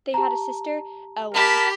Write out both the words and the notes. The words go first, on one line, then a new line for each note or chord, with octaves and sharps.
They had a sister Elwing.
G4 A5 A#5
G4 A#4 A5 B5